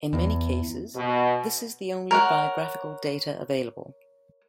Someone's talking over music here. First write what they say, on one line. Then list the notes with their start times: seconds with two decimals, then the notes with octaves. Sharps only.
In many cases, this is the only biographical data available.
0.13 E2
0.95 B2
2.11 A#4 C#5 F#5